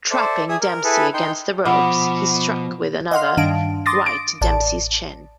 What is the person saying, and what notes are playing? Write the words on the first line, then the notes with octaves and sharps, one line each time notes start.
Trapping Dempsey against the ropes, he struck with another right to Dempsey's chin.
A4 C5 D5 E5
G#4 E5 G#5 D#6
A#4
E4 G#4 A4 B4
D#4 G5 C6
B2 F3 F#5 B5 D6
D#5 F5 F#5 C6 F6
G2 D#3 D4 F5 A5 D7
C6 D6 D#6 A6 A#6
D7
A1 D5 A5